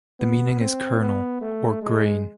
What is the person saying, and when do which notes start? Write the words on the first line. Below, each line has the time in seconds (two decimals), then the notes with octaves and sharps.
The meaning is "kernel" or "grain".
0.20 B3
0.60 C4
1.01 B3
1.41 A3
1.82 G#3